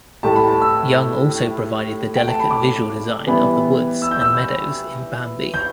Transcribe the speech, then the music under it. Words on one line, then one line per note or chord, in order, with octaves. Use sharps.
Young also provided the delicate visual design of the woods and meadows in "Bambi".
A2 A3 G4 A5
B5
A5
E6
G5
A5
B5
D6
E3 G3 B3 E4
E6
G6
E6
G6